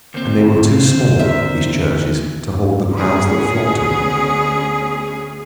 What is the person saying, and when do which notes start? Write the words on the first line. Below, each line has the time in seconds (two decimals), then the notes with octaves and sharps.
And they were too small, these churches, to hold the crowds that flocked to them.
0.14 D2 A#3 C4 F4 C5
1.19 D#2 D4 A#4 E5
2.92 D2 B3 C#4 G#4